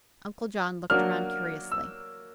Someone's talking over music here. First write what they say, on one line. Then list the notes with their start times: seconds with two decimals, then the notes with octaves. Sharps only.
Uncle John looked around curiously.
0.90 F#3 A#3 D4 F#4 F6
1.72 E6